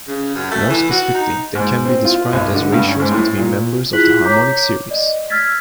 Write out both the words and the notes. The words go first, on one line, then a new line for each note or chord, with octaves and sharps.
More specifically, they can be described as ratios between members of the harmonic series.
C#3
F#2
A3
E3
F#4
D#4
G#2
C4
F4
B1
D3
G2
C#4
G#2
A2
A#2
E4 F4 G#4 F#6 B6 F#7
C#5 A#5 D6 G6 B6
D5 D#5
E6 F6 G#6 A6 B6